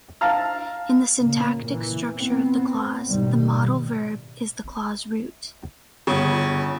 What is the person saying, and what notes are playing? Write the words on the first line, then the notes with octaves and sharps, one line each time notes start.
In the syntactic structure of the clause, the modal verb is the clause root.
F5 A5 A#5 F6
A#2 C#3 A#3
E3
B3 C4
A1 G#2 B2 D#3 G3
G1 C#3